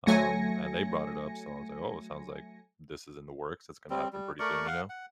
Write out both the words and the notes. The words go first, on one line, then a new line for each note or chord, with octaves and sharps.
um, and they brought it up. So, I was like, oh, it sounds like this is in the works. It's gonna happen pretty soon, you know?
F#3 A3 G#5 A#6 C#7
G3 C4
G3
A3 A#4 D5 C#6
F5 F#5
F#5